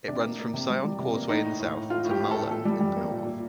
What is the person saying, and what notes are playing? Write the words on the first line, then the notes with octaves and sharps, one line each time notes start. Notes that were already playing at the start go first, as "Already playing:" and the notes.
It runs from Sion Causeway in the south to Mulund in the North.
C3 D4
A#3
A#3
C3
G3
G3
C3
A#3
A2 D#4
A2
A2
A2
A3 F4
A2
G4
A2
A4
A3
A#2 A4
G3
G3
A#3
A#2
A#2